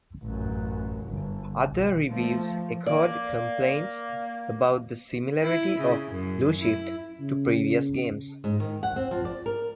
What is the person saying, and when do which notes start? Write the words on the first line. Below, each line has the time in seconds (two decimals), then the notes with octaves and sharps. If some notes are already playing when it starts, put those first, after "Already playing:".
Other reviews echoed complaints about the similarity of "Blue Shift" to previous games.
0.23 A1 F#2
1.06 G1
1.69 B1
2.08 F3 A3
2.86 A#3 D5
5.43 E4
5.80 C#3
6.11 F#2
6.60 E4
7.20 C#3
8.44 G#2
8.60 D#3
8.83 F#5
8.96 C4
9.11 F3
9.25 D5
9.46 A#4